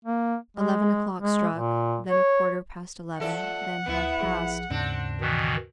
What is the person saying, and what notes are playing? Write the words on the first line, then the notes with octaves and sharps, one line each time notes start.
Eleven o'clock struck, then a quarter-past eleven; then half-past.
A#3
G#3
G#3
A#2
C#5
F3 A4 D5 E5 F#5
D2 B3 E4 C#7
A#1 F3 G#4
D#2 G#2 C#3 C4 D4
B2 D#3 E3